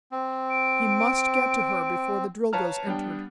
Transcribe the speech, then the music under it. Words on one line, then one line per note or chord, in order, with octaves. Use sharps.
He must get to her before the Drilgoes entered.
C4
D7
B4 C#5 F5 A5 A#5 F6
G3 B3 D4 G5